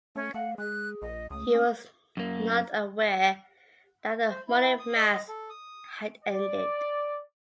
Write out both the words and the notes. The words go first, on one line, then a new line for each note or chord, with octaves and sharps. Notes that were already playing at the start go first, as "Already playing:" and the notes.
He was not aware that the morning Mass had ended.
A3 C#4
A3 F5 F#5
G#3 G#4 F#6
A#1 D#5
C#2 A3 D#6
C#4
F#2 A#3
C5
E4
D#6
D#5
A4
D#6
D5